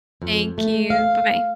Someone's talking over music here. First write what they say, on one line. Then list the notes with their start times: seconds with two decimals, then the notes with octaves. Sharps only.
Thank you. Bye bye.
0.22 F2
0.58 A3
0.90 F5